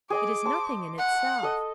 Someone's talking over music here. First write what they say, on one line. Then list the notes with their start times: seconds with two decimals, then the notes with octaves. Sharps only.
It is nothing in itself.
0.10 G#4 D#5 G#5 D6
0.45 C5 A5
0.98 F#5
1.43 A4 D#5